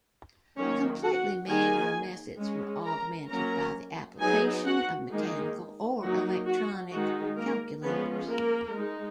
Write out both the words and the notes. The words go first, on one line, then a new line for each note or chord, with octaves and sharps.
Completely manual methods were augmented by the application of mechanical or electronic calculators.
D#3 F#3 A#3 C#4 C#5
F#4 F#5
D#3 A#3 D#4 G#4 G#5
G#3 C#4
A#4 A#5
F#3 A#3 C#4 A#4 A#5
F#3 B3 D#4 G#4 G#5
F#4 F#5
D#3 G#3 A#3 D#4 G#4
F#3 A#3 D#4 F#4
F#4
D#3 G#3 D#4 F#4
A#3 A#4
F3 G#3 B3 C#4 B4
A#3 A#4
G#3 D#4